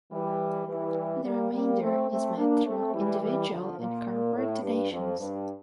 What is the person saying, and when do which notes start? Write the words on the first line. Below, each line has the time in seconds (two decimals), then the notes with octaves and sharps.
The remainder is met through individual and corporate donations.
0.11 E3 G3
0.67 E3 G3
1.24 G3 A#3
1.52 G3 A#3
1.80 A3 C4
2.09 A3 C4
2.37 A#3 D4
2.65 A3 C4
2.93 E3 G3
3.21 E3 G3
3.49 D3 F3
3.78 A#2
4.34 A2
4.62 G2
4.90 F2
5.19 G2